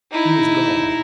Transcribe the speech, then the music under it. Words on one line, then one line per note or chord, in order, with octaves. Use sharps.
He was God.
D#4 E4